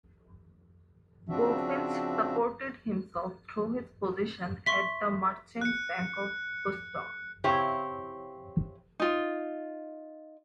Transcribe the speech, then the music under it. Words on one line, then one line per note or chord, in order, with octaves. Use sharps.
Bulfinch supported himself through his position at the Merchants' Bank of Boston.
C#3 F3 C4 D4 F#4 E5
E5 C6 C#6 B6
F#6 C#7
C#3 C4 E4 G4 C#5
D#4 F4